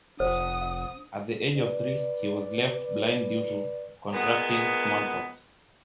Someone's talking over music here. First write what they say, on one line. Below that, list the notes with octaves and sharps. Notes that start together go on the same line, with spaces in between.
At the age of three, he was left blind due to contracting smallpox.
F1 C5 F#5 D#6
B4 D5
A#2 G#3 B3